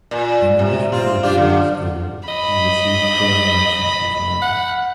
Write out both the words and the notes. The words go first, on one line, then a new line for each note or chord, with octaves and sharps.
In addition to attending school, he received drawing lessons as well.
A#2
C3
C4 F4
D4 F4 G4
D3
D#5 B5
F#5